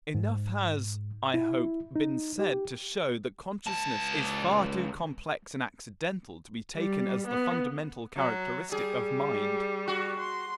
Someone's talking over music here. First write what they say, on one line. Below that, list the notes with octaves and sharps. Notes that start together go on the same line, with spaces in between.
Enough has, I hope, been said to show that consciousness is far too complex and accidental to be taken as the fundamental characteristic of mind.
G#2
E4
D#4
G4
C#2 A5
G3
B3
F#3
G3 G#4
F#4
C6